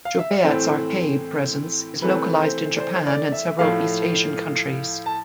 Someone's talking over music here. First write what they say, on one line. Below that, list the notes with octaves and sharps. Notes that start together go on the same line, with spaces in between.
Jubeat's arcade presence is localized in Japan and several East Asian countries.
F5
E5
D5
A2 E3 A3 C4 C5
C3 E3 A3 C4 B4
C5
D5
C5
D5
E5
A2 F3 A3 F5
A5